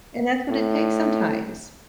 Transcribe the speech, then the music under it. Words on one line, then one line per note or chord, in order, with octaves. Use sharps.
And that's what it takes sometimes.
A2